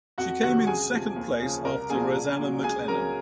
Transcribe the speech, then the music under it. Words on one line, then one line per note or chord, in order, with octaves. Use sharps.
She came in second place after Rosannagh MacLennan.
F2 F#4 F#5
C3 D#3 F#3 F#4 F#5
C#2 G#4 G#5
C3 F3
D#2
C#3 F3
C2 A#4 A#5
A#2 F3 G#4 G#5
C2
A#2 F#3
C#2 G#4 G#5
C#3 F#3 A#4 A#5